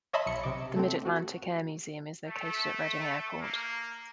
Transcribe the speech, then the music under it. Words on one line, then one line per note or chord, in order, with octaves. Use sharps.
The Mid-Atlantic Air Museum is located at Reading Airport.
C#5 D#5 E5 A5 B5 C6
B1 C#7
C3 D6
A3 C4
F#4
A3
A#3